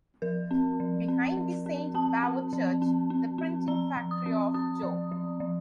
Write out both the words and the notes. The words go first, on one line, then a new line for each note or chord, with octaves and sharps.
Behind the Saint Bavochurch the printing factory of Joh.
F3 A#4
C4
F3
C4
F3
C4
C4 A5
C4
F3
C4
C4
C4
F3 A#5
F3
D#6
C4
C4 D#6
F3
F3
F3